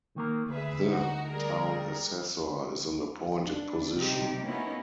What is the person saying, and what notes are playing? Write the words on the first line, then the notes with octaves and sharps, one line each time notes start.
The town assessor is an appointed position.
D#3 A#3 A#4
D2 G#4 B4 E5
D#4 F#4
G3 G#4 A#4
D4
C3 G3 D#4 G4
A#3 B3 C#4 D#4 E4 F#4